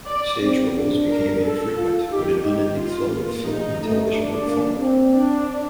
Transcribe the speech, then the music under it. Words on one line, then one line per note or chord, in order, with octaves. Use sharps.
Stage roles became infrequent when an unending flow of film and television work followed.
D5
C4
D4
A#4
A4
F4
D#4 G4
D#4 G4
F4
A#3
D#4
A3
D4
A#3
C4
D4